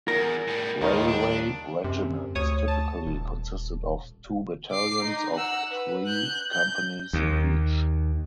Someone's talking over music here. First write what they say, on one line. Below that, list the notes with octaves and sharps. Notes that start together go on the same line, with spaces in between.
Railway regiments typically consisted of two battalions of three companies each.
E2 A#4
A2 G3
D#2 A#2 D#3 G3 F4
D4
F#2 C3
D2 C#5 D#6
A5
D#1
D6 C7
D#4
F#5 E6
B4
F#6 G6
G6
D#2